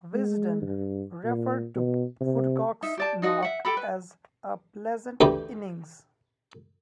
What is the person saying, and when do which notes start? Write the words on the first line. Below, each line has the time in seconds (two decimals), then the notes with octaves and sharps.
"Wisden" referred to Woodcock's knock as a "pleasant innings".
0.14 G#3
0.62 G2
1.25 A#2
1.76 B2
2.21 C3
2.83 D#4 E5
2.98 G4 D5 A5
3.22 D#4 F#4 D#5
3.42 E5 F#5
3.65 G4 A4 B5
3.77 B4
5.21 D2 E3 G4